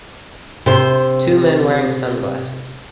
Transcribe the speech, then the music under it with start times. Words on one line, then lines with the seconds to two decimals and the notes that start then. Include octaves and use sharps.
Two men wearing sunglasses.
0.66 C3 C5